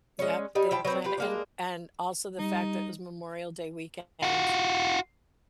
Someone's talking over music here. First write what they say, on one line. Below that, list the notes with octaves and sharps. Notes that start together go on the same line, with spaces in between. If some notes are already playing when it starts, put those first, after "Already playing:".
Yep, they had planned it, and and also the fact that it was Memorial Day weekend.
G#3 C#4
G3 D#4 G#5
F3 E4 G5 A5
F#3 B3 C4
F4 G4 B4
G#3 A#3 D4
G3 D#4
F4 F#4